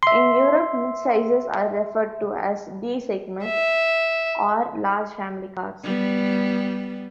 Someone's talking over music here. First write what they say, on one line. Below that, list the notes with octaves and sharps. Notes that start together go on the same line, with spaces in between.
In Europe mid-sizers are referred to as D-segment or large family cars.
E5 C6
E5
G3 B3